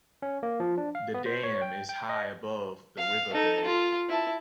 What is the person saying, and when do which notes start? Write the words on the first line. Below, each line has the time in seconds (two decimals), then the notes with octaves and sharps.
The dam is high above the riverbed.
0.22 C#4
0.43 A#3
0.60 F3
0.78 D4
0.95 F5
1.14 B3
1.26 C5
1.43 C#5
1.62 G5
1.89 G5
2.09 D#5
2.97 F5
3.33 D#4 A4
3.65 F4
4.09 E4 A5